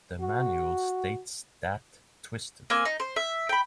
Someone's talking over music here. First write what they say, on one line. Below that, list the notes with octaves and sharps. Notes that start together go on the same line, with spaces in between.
The manual states that Twisted!
F#4
A#3 C4 G#5
D#4
C5
E5
G5 B5